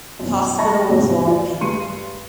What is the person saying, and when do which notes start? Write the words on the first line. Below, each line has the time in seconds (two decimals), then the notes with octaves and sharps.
Hospital was long pending.
0.19 F#2 B2 E3
0.58 D#5 E5 A5 B5 C#6 A#6
0.89 E2 G#2 C3 F#3 G3
1.27 F4 D5
1.61 G2 G#3 B4 C6 C#7 D#7